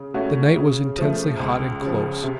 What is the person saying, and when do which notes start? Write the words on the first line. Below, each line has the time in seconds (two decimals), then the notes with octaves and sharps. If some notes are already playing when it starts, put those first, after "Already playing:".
The night was intensely hot and close.
Already playing: C#3
0.14 A3 C#4 F#4
0.56 C#3
0.98 F3 A3
1.40 C#2
1.82 C#3 F3
2.23 C3